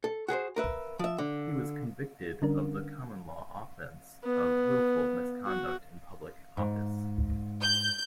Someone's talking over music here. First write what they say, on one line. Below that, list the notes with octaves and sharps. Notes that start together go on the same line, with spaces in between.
He was convicted of the common law offence of wilful misconduct in public office.
A4
F#4 G#4 A#4 C5
A#4 B4 E5
F3 E5
D3
D3 G3 C#4 D4 A#4
B3
F#4
G#2
G6